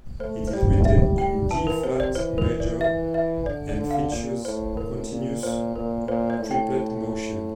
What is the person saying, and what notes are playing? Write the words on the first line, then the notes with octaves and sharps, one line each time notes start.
It is written in D-flat major, and features continuous triplet motion.
A3 C5
C5
G3 D5
G3 E5
G5
E3 A5
A#4
C3 C5
D5
E3 C5
A#4
D5
E5
E5
D3 D5
D5
D3
F5
A#2 D5
A2 C5
A2 A#4
A#2
A#2 C5
A#2 A#4
A#2 C5
D5
A2
G5